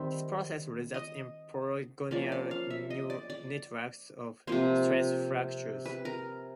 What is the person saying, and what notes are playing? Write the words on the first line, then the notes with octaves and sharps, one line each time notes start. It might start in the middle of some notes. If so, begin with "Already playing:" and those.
This process results in polygonal networks of stress fractures.
Already playing: D#3 G3 C4 E5
D#5
F3 A#3 C#4 D5
D5
F5
E5
D#5
D5
D5
C3 F3 A#3 C5
B4
A#4